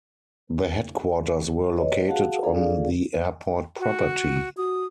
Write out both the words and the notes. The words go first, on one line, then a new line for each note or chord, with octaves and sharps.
The headquarters were located on the airport property.
B4 C#5 D#5
F#4 G#4 F5 F#5 A5
D4 F4 G#4 A4 D5 F5
F#4
F#4 D#6